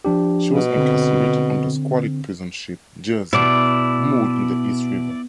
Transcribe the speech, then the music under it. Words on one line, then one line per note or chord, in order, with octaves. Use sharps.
She was incarcerated on the squalid prison ship "Jersey", moored in the East River.
F3 D4 G4
B2
D3 C4
B2 E4 D5